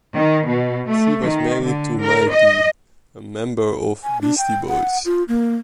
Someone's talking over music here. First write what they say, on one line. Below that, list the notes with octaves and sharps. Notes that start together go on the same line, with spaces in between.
She was married to Mike D, a member of Beastie Boys.
D#3
B2
A3
D#3
D3
A#4
D#5
G#5
D4
G5
F#5
F4
A#3